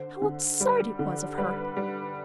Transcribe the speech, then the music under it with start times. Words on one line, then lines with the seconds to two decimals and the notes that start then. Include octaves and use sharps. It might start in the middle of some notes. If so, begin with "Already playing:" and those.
How absurd it was of her!
Already playing: D3 C5
0.22 D3
0.61 G3
0.99 D3
1.38 G3 B4
1.77 G3